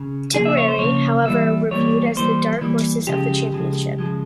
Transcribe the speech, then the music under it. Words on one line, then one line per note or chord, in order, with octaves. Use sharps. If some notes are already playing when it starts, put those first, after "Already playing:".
Tipperary, however, were viewed as the dark horses of the championship.
Already playing: C#3
C#3 F3 A#3 G#4
E5
C#5
C5
C#3 F3 A#3 C#5
E3 G3 A#3 E5
E3 G3 A#3 C#5
E3 G3 A#3 C5
E3 G3 A#3
C#3 F3 G#3 G4
C#3 F3 G#3
C#3 F3 G#3